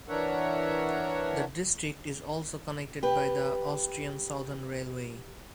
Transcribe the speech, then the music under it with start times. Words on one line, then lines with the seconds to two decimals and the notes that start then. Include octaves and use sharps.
The district is also connected by the Austrian Southern Railway.
0.08 E3 D4 A#4 C#5 E5 F#5
3.03 G4 B4